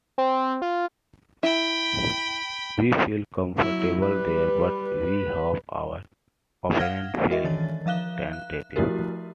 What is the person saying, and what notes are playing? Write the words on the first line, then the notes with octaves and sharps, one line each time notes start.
We feel comfortable there, but we hope our opponents feel tentative.
C4
F4
E4 G5 B5
F#3 E4
G3 B4
F5 F#5 F6 G#6 A#6 G7
G#3 F#4 A#4 D#5 E5
D#3 E3 C#5 A6
F3 E5 F5 F#6 G7
F#6
F3 A3 E4 F#4 G4 A#4